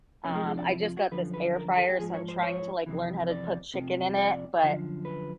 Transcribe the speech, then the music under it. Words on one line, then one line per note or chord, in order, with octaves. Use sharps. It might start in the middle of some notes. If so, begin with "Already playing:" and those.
um, I just got this air fryer, so I'm trying to, like, learn how to put chicken in it, but
F2 C3 F3 C#4
G#3
G#3
D4
E4
F4
F#4
F#2 D3 F3 B4
B4
A#4
A4
G4
G#2 F3 G#4
C#5
C5
C#5
F2 C3 E3
D5
F2 C3 F3
D5
F#2 D3 F3
B4